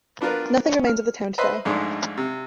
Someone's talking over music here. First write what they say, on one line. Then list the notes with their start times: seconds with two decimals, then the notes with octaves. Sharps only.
Nothing remains of the town today.
0.21 B3 D4 F4 A#4 B4
0.66 C#4
0.87 F6
1.38 B4 C5 D#5 E5 B5 C6
1.65 A#1 G#2 G#3 A3 D4 D#4
2.17 C3